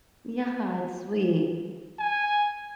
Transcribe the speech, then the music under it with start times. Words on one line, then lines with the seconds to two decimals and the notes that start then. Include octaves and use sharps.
Yeah, it's sweet.
1.99 G#5